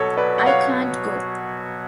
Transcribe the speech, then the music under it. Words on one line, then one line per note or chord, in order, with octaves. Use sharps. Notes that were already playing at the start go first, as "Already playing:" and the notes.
I can't go!
Already playing: B2 F#3 B3 F#4 A4 C#5
B4 D5
F#5
C#5 F5